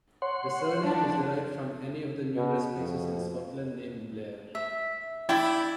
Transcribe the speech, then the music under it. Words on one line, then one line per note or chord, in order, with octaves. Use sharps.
The surname is derived from any of the numerous places in Scotland named "Blair".
C#5 F#5 C6
F3 D4
B2
F2
E5
E4 D5 G5